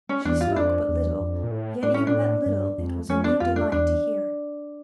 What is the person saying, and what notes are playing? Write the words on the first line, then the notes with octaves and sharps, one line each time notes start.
She spoke but little; yet even that little it was a new delight to hear.
C#4
E2 D4
F4
G2
F2 D4
E2
F2
A#2
A2
A2 D4
C#4
A#2 D4
A2
G2
F2
F2 C#4
D4
F2 F4
D4
E2 D4